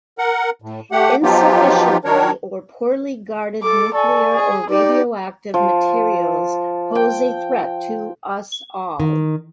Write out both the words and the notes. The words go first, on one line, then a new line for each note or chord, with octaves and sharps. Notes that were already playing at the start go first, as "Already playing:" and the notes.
Insufficiently or poorly guarded nuclear or radioactive materials pose a threat to us all.
A#4 F#5
A2
A3 G4 F#5
F3 F#3 B3 D#4 F4 G4
D#3 F#3 D4 A#4 C#5
A4 D6
A4 D5 G#5 C#6
G#4
D#4 G4 D5
F3
G5
D#3